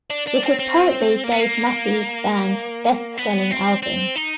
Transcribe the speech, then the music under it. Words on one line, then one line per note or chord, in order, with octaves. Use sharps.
This is currently Dave Matthews Band's best-selling album.
D4
D4
C4
C4
A#3
B3
A#3
B3
C4
C4
D#4